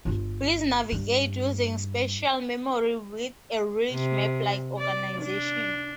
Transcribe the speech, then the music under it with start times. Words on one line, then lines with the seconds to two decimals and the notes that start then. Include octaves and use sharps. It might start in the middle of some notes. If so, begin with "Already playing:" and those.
Bees navigate using spatial memory with a "rich, map-like organization".
0.05 G1 F4
0.92 G2
3.92 C3
4.78 D5
5.22 D4